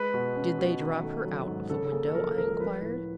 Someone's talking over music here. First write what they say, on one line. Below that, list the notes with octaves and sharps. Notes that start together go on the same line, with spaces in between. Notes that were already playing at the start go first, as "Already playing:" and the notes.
"Did they drop her out of the window?" I inquired.
Already playing: G#3 B4
B2
C#4
B2
D#3
A3
F#3
G#2
C#3 A4
A4
A#3 G#4
A4
F3 A#4
A4
C#2 A#4
A#4
F3 B4
A2